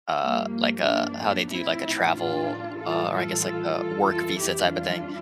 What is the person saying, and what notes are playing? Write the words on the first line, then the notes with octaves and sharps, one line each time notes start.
Uh, like, uh, how they do, like, a travel, uh or I guess, like, a work visa typa thing.
G2 F3 G3 A#3
A#3 D4
A2 F3 C4 E4
D4 F4
A2 E3 G3 F4 A4
F4 A4
F4 A4
F4 A4
F2 E3 G3 F4 A4
E4 G4
D4 F4